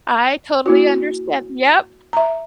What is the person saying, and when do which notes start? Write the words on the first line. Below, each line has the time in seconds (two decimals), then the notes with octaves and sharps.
I totally understand yep.
0.66 A#3 E4 F#4
2.13 E5 A#5